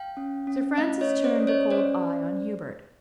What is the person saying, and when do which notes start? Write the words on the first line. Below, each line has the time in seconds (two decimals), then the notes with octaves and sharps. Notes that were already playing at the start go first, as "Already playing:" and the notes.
Sir Francis turned a cold eye on Hubert.
Already playing: F5 G5
0.17 C#4
0.47 C#4
0.78 A3 D#5 F5
1.01 C#5 D#5
1.09 C#4
1.24 C5 D5
1.40 C#4
1.47 C#5 D#5
1.71 C#4 C5 D5